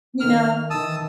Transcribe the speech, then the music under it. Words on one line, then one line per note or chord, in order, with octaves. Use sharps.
you know,
D#3 F6
D#3 E3 A5 D#6 E6